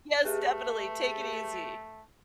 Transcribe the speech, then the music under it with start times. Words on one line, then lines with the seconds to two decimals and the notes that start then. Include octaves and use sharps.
Yes, definitely, take it easy.
0.25 A3 G4 G#4 B4